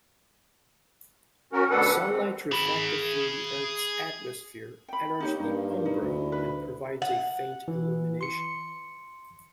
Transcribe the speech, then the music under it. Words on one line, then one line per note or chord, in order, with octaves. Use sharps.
Sunlight refracted through the Earth's atmosphere enters the umbra and provides a faint illumination.
C#4 F#4 A#4
D2 B2 D4 A4 B4 F#5
D#3
C4
G#4 B5
G5 B5
A#3 D#4 G4 C#5
G2 A#3 D#4
D#4 E4
D2
B4
F#5
E3
C6 C#7